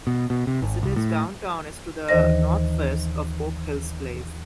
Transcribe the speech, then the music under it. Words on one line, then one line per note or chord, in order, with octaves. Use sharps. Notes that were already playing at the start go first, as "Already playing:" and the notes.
The city's downtown is to the northwest of Oak Hills Place.
B2
B2
C3
G#1
C2
A2
D#2 D#3 E3 C5 D#5 A#6